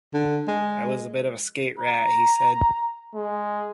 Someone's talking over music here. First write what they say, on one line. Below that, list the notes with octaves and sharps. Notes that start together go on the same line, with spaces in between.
"I was a bit of a skate rat," he said.
D3
G#3
A#5
G#3